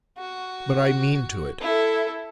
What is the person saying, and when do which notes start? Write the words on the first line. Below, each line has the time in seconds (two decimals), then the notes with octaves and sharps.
But I mean to it.
0.18 F#4
1.61 E4 A4